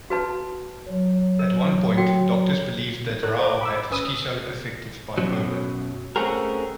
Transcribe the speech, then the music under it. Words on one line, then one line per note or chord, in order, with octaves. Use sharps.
At one point, doctors believed that Rau had schizoaffective bipolar.
F#4 B4 A5
F#3
A#4
F#4 G5
A4 A#4 C#5 F#6
C5 A#5 D6
B5 D6 E6
G#1 C#4 B4 D#6 E6 D#7
F#2 B2 F#3
A3 C4 C#4 F#4 G#4 A#4